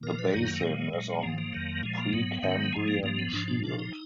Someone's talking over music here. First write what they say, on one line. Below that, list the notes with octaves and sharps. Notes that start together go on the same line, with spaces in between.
The basin is on Precambrian shield.
A#2 F3 A#4
B4
F#2 D#3 F#3 D#4
A#3
A#2 F#3 G#3
A#2 F#3
G#2 F3 A#3
A#3
F2 D#3 F#3
A#2 F3 G#3
A#3
G#2 F#3 B3
G#2 D#3 F#3
G#2 F3 G#3
A#3
G#2 F3 A#3
B3
G#2 F3 D4
D4
A#2 F3 D4
D#4